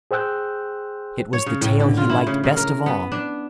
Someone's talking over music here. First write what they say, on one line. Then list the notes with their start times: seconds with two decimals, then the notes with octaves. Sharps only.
It was the tale he liked best of all.
0.11 G#4 C5 G5 E6 F#6 G6
1.33 C#5
1.46 C#3
1.61 A2
1.80 D3
1.97 F4
2.10 E4
2.27 C#3
2.44 C#3
2.57 A#4
2.86 B3
3.12 D4